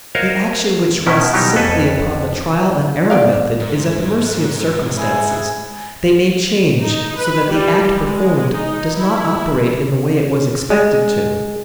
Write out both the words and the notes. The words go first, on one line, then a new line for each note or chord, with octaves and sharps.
The action which rests simply upon the trial and error method is at the mercy of circumstances; they may change so that the act performed does not operate in the way it was expected to.
F#4 A#4 C5 C#5 D#5 F5
B2 D#3 C#4 E4
B2 F#3 G3 D#4 G4
F2 A4 B4 G#5
B3 D5 F5
G#2
E4 G#4
D#4
B4
G3
G#3
D#4
E4
G#3